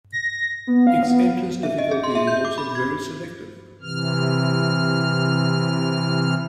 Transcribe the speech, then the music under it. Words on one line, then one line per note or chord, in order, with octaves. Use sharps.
Its entrance difficulty is also very selective.
A#6
B3
F5
B3
E5
D#5
G#4
C6
E5
G6
D6
B5
G#6
C3 E3 F6